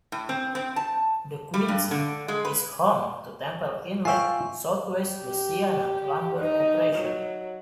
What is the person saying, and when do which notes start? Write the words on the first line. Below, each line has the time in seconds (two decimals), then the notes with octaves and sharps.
DeQuincy is home to Temple-Inland's Southwest Louisiana Lumber Operation.
0.12 A2
0.29 C4
0.55 C4
0.76 A5
1.54 G3
1.68 G2
1.91 D3
2.28 G#3
2.45 B4
4.05 F4 E5 G5 G#5 C#6
5.03 G4
6.39 D#4
6.96 F#3